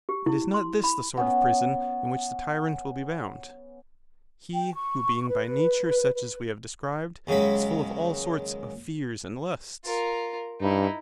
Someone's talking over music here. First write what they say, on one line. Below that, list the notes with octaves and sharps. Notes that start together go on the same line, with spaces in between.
And is not this the sort of prison in which the tyrant will be bound--he who being by nature such as we have described, is full of all sorts of fears and lusts?
G4
E4
C6
B5
B3 C#4
G5
C#6
B4
B4
D#2 C#3 F#3 G#3 B5
F4 A#4
G2 D#4 E4